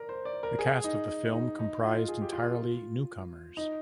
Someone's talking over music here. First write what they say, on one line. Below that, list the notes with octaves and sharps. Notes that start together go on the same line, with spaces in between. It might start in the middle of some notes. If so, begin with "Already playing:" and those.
The cast of the film comprised entirely newcomers.
Already playing: A#4 D5
C5
D5
A#4
G#4
D#4
D#4
D#4
F4
G#4
G4
F4
D#4